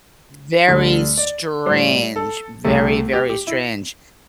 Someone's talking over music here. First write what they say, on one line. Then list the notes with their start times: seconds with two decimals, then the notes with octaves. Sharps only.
very strange. Very, very strange.
0.68 D2 D3 G3
1.18 D5
1.66 A2 G3 C5
2.16 A4
2.64 C2 C3 A3
3.13 G4
3.30 G4
3.47 E4